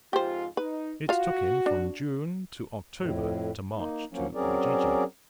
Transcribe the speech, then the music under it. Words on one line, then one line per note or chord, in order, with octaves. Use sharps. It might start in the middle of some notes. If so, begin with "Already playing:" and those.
It took him from June to October to march to Ujiji.
F2 G#2 F4 G4 C5
D#4 B4
F4 F#4 F5
D4
F2 A2
A#3 D#4
F3 F#3 A#3 C#4
F#3 C4 C#4 G#4 A#4 D5